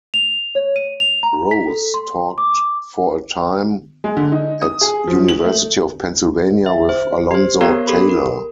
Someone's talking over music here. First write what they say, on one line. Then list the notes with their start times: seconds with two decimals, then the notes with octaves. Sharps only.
Rose taught for a time at University of Pennsylvania with Alonzo Taylor.
0.14 F7
0.55 C#5
0.76 D#7
1.00 F7
1.23 A#5
1.51 B6
1.67 A4
1.94 C6
2.38 D6
4.04 G#3
4.17 D3
4.32 D#4
4.62 D#6
4.81 G#4
5.07 F3
5.28 F#7
5.44 A3
6.66 E5
6.89 C5
7.31 G4 C5
7.61 B3 G4 A#4 C#5 F5 A#5
7.87 G4 A4 A#4 B5
8.09 A#4